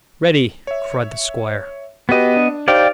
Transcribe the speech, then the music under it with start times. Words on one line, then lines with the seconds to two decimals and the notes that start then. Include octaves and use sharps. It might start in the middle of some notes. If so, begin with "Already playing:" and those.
"Ready!" cried the squire.
0.67 C#5 E5
2.09 B3 F#4 G4 B4 D#5
2.36 D4
2.68 D#4 G4 C5 D5 F5 G5